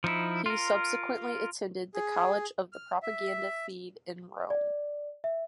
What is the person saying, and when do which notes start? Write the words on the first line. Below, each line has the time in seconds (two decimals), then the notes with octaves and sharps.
He subsequently attended the College of the Propaganda Fide in Rome.
0.04 F3 D#4 E4
0.46 F4 A#4
1.94 G#4
2.73 F6
3.02 E5
4.50 D5
5.24 E5